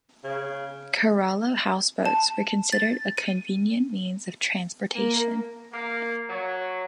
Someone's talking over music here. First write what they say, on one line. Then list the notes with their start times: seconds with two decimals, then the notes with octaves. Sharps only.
Kerala houseboats were considered a convenient means of transportation.
0.24 C#3
2.06 A5
2.72 A6
3.17 D#7
4.95 A#3
5.72 A#3
6.29 F#3 C#5